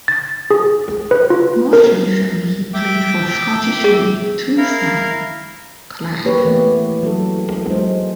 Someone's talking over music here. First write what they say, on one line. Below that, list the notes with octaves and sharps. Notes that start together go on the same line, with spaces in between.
Most recently he played for Scottish League Two side Clyde.
A6
G#4
B4
F4
A#4
E5 G5 D6
G#4
E4 A#4 F5
A#3 G4 B4 C#5
E3 A3 B3
F#3 E4 A4
F#3 G#3 C5